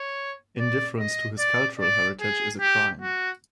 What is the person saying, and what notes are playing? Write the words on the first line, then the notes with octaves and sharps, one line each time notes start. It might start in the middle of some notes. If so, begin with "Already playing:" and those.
Indifference to his cultural heritage is a crime.
Already playing: C#5
D5
D#5
D5
D5
G#4
G4
F#4